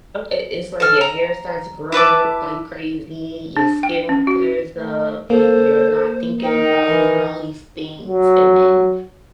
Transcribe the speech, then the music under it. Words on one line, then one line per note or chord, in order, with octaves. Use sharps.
it it's like your hair starts growing l like crazy, your skin clears up, you you're not thinking about doing all these things, and then
A4 F6
A#5
E4 B4 A5 D6
D4
G5
C#4
F#4
A3
A#3 A4 C5
D#4 A#4 G5
E3 A#4
F#3